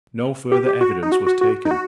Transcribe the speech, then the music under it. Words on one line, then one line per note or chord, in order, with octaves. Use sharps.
No further evidence was taken.
G4
G4
F#4
D#4
F#4
F#4
F#4
D#4
F#4